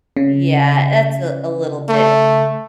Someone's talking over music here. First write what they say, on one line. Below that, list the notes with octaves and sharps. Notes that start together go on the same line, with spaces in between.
Yeah, that's a a little bit,
C#3
A3